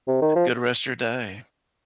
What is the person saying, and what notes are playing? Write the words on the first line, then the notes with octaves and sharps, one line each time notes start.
good rest of your day.
C3
D#3
F3